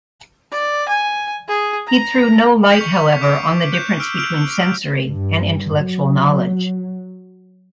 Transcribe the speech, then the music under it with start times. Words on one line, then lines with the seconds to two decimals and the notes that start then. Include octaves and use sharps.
He threw no light, however, on the difference between sensory and intellectual knowledge.
0.51 D5
0.88 G#5
1.48 G#4
1.87 A#5
2.69 F6 G6 B6 C#7 F7
2.81 C#6 G6 C#7
3.21 D6 G6 C7 D7
3.72 F#6 G6 E7
4.00 E6 F6 D7
4.17 E6 F6 D7 F7
5.07 G2
5.77 F#3